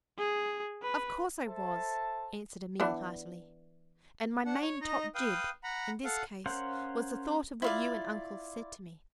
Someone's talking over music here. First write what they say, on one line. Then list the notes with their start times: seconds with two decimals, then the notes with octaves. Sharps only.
'Of course I was!' answered Emil heartily; 'and my "main-top jib" in this case was the thought of what you and Uncle said to me.
0.18 G#4
0.83 B4
1.46 A4 C5 E5 A5
2.80 E3 B3 D4
4.46 D4 F#5
4.62 C#5
4.81 D#4 D#5 A#5
5.15 B4 F5 G5 D#6
5.64 F#5 A#5 B5
6.04 A4 F5 F#5
6.46 C#4 A#4 C5 F5 F#5
7.62 E4 F4 D5